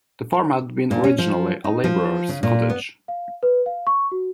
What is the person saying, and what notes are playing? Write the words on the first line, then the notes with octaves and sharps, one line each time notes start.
The farm had been originally a labourer’s cottage.
A#2
C#4
F3
D#4
F3
C#3
A#2
B3
F5
B4
F5
C#6
F#4